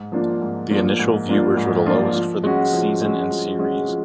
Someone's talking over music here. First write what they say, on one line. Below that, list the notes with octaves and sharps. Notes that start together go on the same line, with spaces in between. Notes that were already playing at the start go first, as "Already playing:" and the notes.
The initial viewers were the lowest for the season and series.
Already playing: G#2
F3 A#3 D4 F4
G#2
F3 A#3 D4 F4
G#2
F3 A#3 D4 F4
G#2
F3 A#3 D4 F4
F3
G#3 C#4 F#4
F3
G#3 C#4 F#4
F3
G#3 C#4 F#4
F3